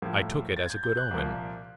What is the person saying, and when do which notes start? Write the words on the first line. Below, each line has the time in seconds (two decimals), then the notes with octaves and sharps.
I took it as a good omen.
0.02 A2 F3 A#3
0.57 A6
0.64 G#6
0.70 G6
0.84 G6
0.97 F#6
1.11 C2 A#2 F3 A#3